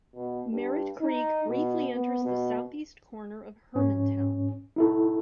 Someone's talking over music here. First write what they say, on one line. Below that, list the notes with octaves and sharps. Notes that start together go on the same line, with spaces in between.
Merritt Creek briefly enters the southeast corner of Hermantown.
B2
G2
D#4
B2
B3
B2
G#2 C#4
D#4 E4 A4